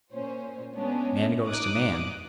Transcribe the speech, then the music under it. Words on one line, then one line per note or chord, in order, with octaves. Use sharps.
Man goes to Man!
A#2 C#4 C5
G#3 B3 C#4 D4
A1 D#4 D6 D#6 F#6